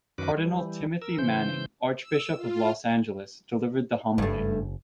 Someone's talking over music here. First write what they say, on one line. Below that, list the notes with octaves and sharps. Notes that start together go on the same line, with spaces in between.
Cardinal Timothy Manning, Archbishop of Los Angeles delivered the homily.
F#2 D#3 C#4 F#4 B4 D6
E3 G3
A#4 E6
C#3 E3 C5 G6
E6
F4
F#1 G2 A3